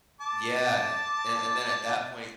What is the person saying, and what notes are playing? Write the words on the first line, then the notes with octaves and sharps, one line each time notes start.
Yeah. And and then at that point,
A5 D6